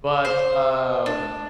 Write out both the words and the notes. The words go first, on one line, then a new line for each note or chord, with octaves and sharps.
But, um,
C5
D4